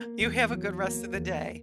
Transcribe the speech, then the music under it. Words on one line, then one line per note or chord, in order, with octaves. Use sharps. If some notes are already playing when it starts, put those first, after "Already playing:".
You have a good rest of the day.
Already playing: A#3
E2
F#3
A#3
E2